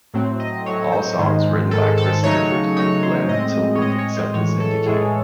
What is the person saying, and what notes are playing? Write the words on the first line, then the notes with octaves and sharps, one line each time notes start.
All songs written by Chris Difford and Glenn Tilbrook except as indicated.
A2 F#3 A3 C4
D#5
A2 F#3 A3 C4 C#5
C5
G#2 D#3 G#3
G#2 D#3 G#3 A4
A4
C#3 F#3 A3 D#4 C#5
C#3 F#3 A3 D#4 C#5
C5
A2 G#3 C4 D#5
C#5
A2 G#3 C4 D#5
C#5
C5
A2 E3 G#3 C#5
A4
A2 E3 G#3 G#4